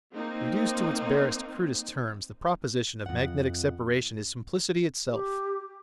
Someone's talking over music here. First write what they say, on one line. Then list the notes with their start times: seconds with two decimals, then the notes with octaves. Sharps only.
Reduced to its barest, crudest terms, the proposition of magnetic separation is simplicity itself.
0.14 A#3 C4 D#4
3.06 F2 F#5
5.10 G4